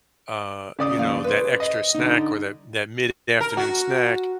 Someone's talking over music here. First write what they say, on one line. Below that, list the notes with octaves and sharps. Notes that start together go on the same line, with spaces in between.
uh, you know, that extra snack or that that mid-afternoon snack,
C#3 D5 D#6
D#2 F3 F5
B4 C5
D#5
D3 D#4
A#4
F#4